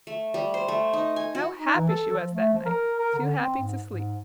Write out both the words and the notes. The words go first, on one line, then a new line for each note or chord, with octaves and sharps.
How happy she was that night--too happy to sleep.
A3
G3
C5
A3
D#4
G#5
F#4
D#4
E3
A4
F3
A3
F3
A#4
A#4
D3
C4
G#2
G#2